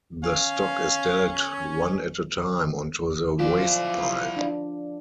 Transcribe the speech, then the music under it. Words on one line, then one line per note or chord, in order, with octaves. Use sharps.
The stock is dealt one at a time onto the wastepile.
C#4 F5
F3 E4 F4 D5 F5
D4